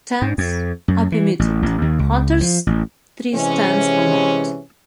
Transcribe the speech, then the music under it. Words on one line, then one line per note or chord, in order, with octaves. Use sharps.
Tents are permitted; hunters' tree stands are not.
G#2
F2
F#2
E3
A1
A1
D#2
C#2
F3
A1
C3 E3 G#3 C#4